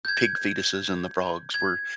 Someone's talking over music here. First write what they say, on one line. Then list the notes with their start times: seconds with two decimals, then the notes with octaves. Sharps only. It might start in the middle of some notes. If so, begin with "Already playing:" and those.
p pig fetuses and the frogs were
0.05 G6
0.08 G#6
1.54 G#6